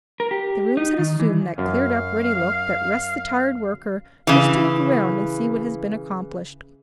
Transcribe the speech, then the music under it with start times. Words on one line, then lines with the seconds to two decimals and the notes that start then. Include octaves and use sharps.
The rooms had assumed that cleared-up, ready look that rests the tired worker just to look around and see what has been accomplished.
0.20 A#4
0.31 G4
0.77 D#4
0.99 D#3
1.20 E3
1.58 F#2 F5
4.27 C#3 E3